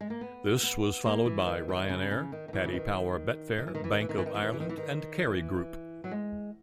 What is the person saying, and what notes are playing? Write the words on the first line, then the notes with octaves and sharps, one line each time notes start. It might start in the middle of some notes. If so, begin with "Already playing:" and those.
This was followed Ryanair, Paddy Power Betfair, Bank of Ireland and Kerry Group.
G#3
A#3
B3
B3
A#3
E3
D#3
D#3
C#3
C#3
D#3
D#3
E3
C#3
D#3
D#3
E3
D#3
E3
D#3
E3
D#3
E3
D#3
E3
D#3
E3
D#3
E3
D#3
E3
F#3
G#3